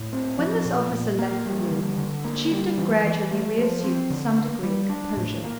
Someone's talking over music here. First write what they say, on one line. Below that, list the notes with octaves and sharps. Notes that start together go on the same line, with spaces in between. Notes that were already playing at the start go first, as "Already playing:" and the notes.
When this officer left the room, the Chieftain gradually reassumed some degree of composure.
Already playing: A2
C4
F3
A#2
A#2
A#3
G3
D3
D3
A#3
G3
E3
E3
A3
F3
C4
D3
A#3
G3
D4
A2
A#3